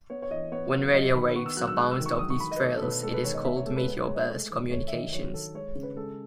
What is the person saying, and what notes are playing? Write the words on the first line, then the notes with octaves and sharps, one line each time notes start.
When radio waves are bounced off these trails, it is called meteor burst communications.
B3 C#5
C#5
E3 D#5
B3 C#5
F#3
F#3 D#5
D#3 B5
B3 C#6
E6
F#3 F#6
E6
G#3 F#6
E6
D#3
C#6
F#3 D#6
C#6
D#3 B5
D#5
B4
A3 C#5
A4
B2 B4
G#3 A4
B4
D#3 C#5
D#5
B3 E5
C#5
G#3 A4
B4
B3 B4
C#5
G#3
D#5
A3
D#3
A3 C#5
E5
D#3 D#5
F#3 C#5
D#3 A4
G#3 C#5
C#3
B4
G#3 A4